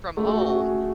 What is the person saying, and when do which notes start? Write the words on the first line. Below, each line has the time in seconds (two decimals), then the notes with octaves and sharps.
from home
0.17 A3
0.28 F#4
0.41 F#4
0.54 G#4